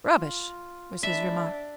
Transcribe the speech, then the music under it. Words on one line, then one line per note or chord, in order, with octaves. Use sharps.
"Rubbish," was his remark.
F4
G#3 A3 D4 E4 E5